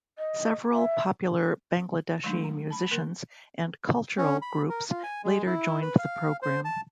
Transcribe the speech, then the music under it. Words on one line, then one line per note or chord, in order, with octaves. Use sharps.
Several popular Bangladeshi musicians and cultural groups later joined the program.
D#5
E5
D#3 F#3 G#3 A3 D4 D#4
A#5
A5 B5
D3 A#3 A#4
C#4
B5
A#4
F4
G#5
G#3
E4
B4
F5
C5
A5